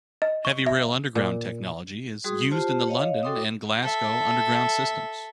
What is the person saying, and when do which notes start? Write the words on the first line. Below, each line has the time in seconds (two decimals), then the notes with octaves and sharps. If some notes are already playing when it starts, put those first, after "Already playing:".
Heavy rail underground technology is used in the London and Glasgow Underground systems.
0.22 D#5
0.45 C#6
0.67 E5
1.15 A#2
2.24 G3 F#4 G#4 C6 D#6
2.51 F4 G4 C5 A5
2.88 C#5 D#5 F5
3.23 F#4 A4 G5 C6 D6 D#6
3.82 A4 E5